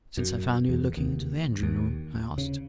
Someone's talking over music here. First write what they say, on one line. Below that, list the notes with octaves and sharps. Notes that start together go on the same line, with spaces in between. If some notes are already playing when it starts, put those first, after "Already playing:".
"Since I found you looking into the engine-room?" I asked.
F#2
E2
D#2
D#2
C#3